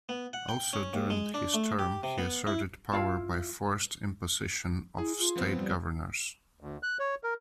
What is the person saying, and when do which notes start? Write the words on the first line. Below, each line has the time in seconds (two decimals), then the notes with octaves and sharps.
Also during his term, he asserted power by forced imposition of state governors.
0.09 B3
0.33 F#5
0.49 G5
0.73 C#4
0.94 D#2
1.10 G#3
1.34 D4
1.54 A3
1.79 G4
2.03 C3
2.18 B3
2.47 E4
2.92 E4 F4 F5
4.98 E4 G#4
5.19 F4
5.36 F3 B3 C4
5.56 G3
6.61 D2
6.83 F#6
6.99 C#5
7.24 A#4